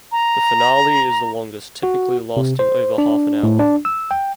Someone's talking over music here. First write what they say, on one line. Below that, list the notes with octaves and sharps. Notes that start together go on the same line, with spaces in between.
The finale is the longest, typically lasting over half an hour.
A#5
F#4
C3
C5
D4
A2
D4
E6
G5